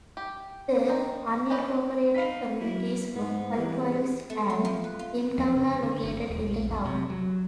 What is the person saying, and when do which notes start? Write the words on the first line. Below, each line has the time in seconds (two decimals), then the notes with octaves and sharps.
The unincorporated communities of Five Points and Jimtown are located in the town.
0.17 G4
0.88 C4 D#4
1.50 C#4 D4 G4 B4 D#5
2.15 D#4 F5 B5 B6
2.61 F#3 E4
3.15 G#2 B3
3.58 E3 G3 G#3
4.30 A3
4.50 C4
4.65 F3
4.84 B4
4.99 F4
5.38 F2
5.56 C#3
5.83 D3
6.03 F#1
6.28 D#1
6.48 A#1
6.69 F2
6.85 C3
7.10 F#3